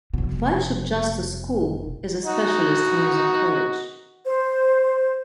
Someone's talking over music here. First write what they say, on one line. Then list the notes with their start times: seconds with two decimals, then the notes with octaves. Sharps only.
Bishop Justus School is a specialist Music College.
0.13 F1 B2
2.25 D#4 F#4
4.25 C5